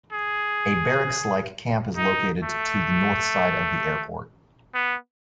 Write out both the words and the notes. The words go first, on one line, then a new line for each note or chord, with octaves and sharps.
A barracks-like camp is located to the north side of the airport.
G#4
D#4
A3
B3